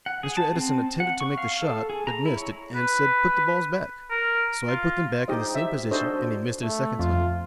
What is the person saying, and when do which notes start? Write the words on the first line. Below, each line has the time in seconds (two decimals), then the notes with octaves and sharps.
Mr. Edison attempted to make the shot, but missed it and said 'Put the balls back.' So I put them back in the same position and he missed it the second time.
0.06 F#5
0.23 G#4
0.37 A5
0.55 C4
1.00 F#5
1.21 C#6
1.38 F5
1.62 A4
1.90 G#4
2.07 A#5
2.26 E4
2.37 C#5
2.75 B4
4.11 A#4
4.68 F4
5.28 D#4 G4 C5 D#5
5.55 E5
5.91 D4 F#4 A4 C5 D#5
6.62 A3
6.99 F2 F4